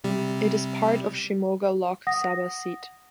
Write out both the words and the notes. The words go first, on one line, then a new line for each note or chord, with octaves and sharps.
It is part of Shimoga Lok Sabha seat.
C3 G3
F#5 D#6 A#6